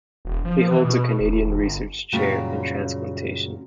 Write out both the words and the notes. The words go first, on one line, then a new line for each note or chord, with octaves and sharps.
He holds a Canadian Research Chair in transplantation.
E1
F3
E3
B2
E1
G1
F#2 A#2 C#3 G3